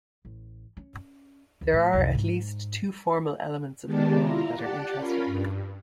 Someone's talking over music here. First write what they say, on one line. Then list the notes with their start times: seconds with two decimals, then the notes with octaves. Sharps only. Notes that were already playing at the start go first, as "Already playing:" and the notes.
There are at least two formal elements of the poem that are interesting.
0.25 A1
0.77 C#4
1.61 D2
1.73 A2
1.93 C2 F2
2.15 G#2
3.85 D#3 G#3 B3 G4 D5 A5
4.18 E4 F4 A#5
4.55 G4 D5 F#5 A5
4.95 C#4 F4 A#4 B5
5.26 G2